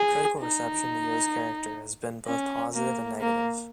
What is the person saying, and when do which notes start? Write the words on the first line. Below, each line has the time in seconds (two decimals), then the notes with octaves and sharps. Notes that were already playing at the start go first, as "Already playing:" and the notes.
Critical reception to Yoh's character has been both positive and negative.
Already playing: G#4
0.40 D#4
2.27 C#4
2.74 A#3
3.20 A#3